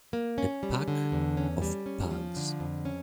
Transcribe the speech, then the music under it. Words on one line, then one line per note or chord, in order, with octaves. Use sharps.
A pack of Pugs.
A#3
C#4
G3
D3
E2
C#4
G3
C#4
F3
D3
F2
C#4